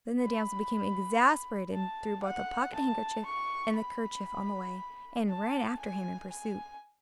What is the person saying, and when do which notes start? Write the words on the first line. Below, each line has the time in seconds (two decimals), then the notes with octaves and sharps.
Then the damsel became exasperated, and threw both the pocket-handkerchief and the kerchief on the way, and ran after him in pursuit.
0.21 B5
1.73 A5
2.23 F#5
2.74 A5
3.25 C#6
3.76 B5
5.28 A5
5.79 G#5
6.30 G#5